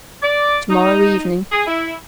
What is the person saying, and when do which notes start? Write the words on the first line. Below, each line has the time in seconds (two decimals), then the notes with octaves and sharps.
"To-morrow evening."
0.23 D5
0.70 D#4
1.52 G#4
1.67 E4